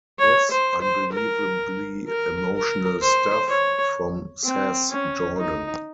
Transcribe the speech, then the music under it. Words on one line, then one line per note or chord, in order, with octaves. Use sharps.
This unbelievably emotional stuff, from Sass Jordan.
C#5
C5
C5
A#4
A#4
A#4
C5
C#5
C4
C#4
D#4